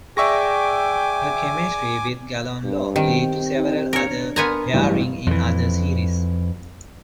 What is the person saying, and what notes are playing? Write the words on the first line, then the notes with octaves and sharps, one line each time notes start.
Her chemistry with Gallen Lo lead to several other pairings in other series.
G#4 D5 E5 G5 G#5 C#6 D6 A#6
G2
D#3 C4 G4
D#4
D4 A#4 C#5
B3 A#4 G#5 A#5 C6 F6
A1 G2 E3 F#3
F2 E3